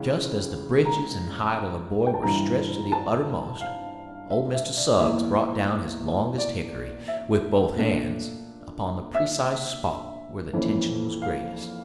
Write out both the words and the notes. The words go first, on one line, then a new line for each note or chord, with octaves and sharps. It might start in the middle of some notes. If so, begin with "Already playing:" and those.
Just as the breeches and hide of the boy were stretched to the uttermost, old Mr. Suggs brought down his longest hickory, with both hands, upon the precise spot where the tension was greatest.
Already playing: C#2 C#3 E3
A#5
G5
A5
G2 E3 G3 A#5
A5
F5
E5
E5
D5
E2 E3 A#3 E5
D5
E5
A#2 A3 D4
E5
F2 E3 A#3 C#4
F5